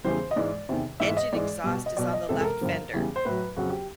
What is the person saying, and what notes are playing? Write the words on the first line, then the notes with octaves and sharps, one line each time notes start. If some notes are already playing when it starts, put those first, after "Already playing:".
Engine exhaust is on the left fender.
E2 C#3 E3 G3 C5
D#5
G#2 E3 G#3 D5
E2 C3 D#3
G#2 E3 G#3 E5
E5
D#5
G#2 E3 G#3 D5
B2 G3
D#5
B2 F#3 D5
D#5
F2 C3 E3 G#3 A4
A4
A#4
G2 D3 F3
E2 C#3 E3 G3
C5
A2 F#3 B4
F2 C#3 F#3 F#4
G4